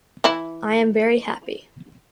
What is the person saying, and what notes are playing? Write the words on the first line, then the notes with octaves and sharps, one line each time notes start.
I am very happy.
E3 E4